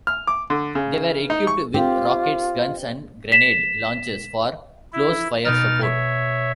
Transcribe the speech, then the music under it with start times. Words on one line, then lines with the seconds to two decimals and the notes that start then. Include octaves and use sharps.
They were equipped with rockets, guns, and grenade launchers for close fire support.
0.07 F6
0.27 D6
0.50 D3
0.75 C#3
1.30 D#4
1.47 C#6
1.74 C4 F4 G4
3.32 B6 E7
4.93 E4
5.45 B2 B3 D#4 F6 A6 D7
5.82 C#5 E5